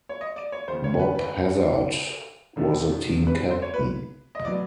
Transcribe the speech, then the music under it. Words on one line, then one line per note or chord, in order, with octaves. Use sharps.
Bob Hazzard was the team captain.
C#5
D#5
D5
C#5
D#2 C#3 F3 C5
C#5
B4
B4
E1 D#2 D3 F3
B4
C5
C#5
B4
D#5
A2 F#3 B3 D5